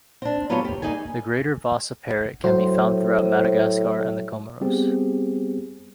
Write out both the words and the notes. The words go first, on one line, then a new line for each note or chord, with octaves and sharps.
The greater vasa parrot can be found throughout Madagascar and the Comoros.
C4 D4
F#3 B3 F4 G4 A4 C#5
G4
G3 A#3 D#4 G4 G#4 G#5
A2 F#3 C5
G3 B3 C4 G4 G#4